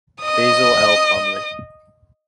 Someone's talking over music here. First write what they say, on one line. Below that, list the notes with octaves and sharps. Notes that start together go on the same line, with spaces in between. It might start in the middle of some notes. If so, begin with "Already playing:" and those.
Basil L. Plumley.
D#5 D#6